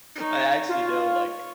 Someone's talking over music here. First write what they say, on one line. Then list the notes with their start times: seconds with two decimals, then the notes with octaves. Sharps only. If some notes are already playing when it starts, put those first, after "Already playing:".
I actually know, like,
0.18 D#4 C#5
0.69 F4 C#5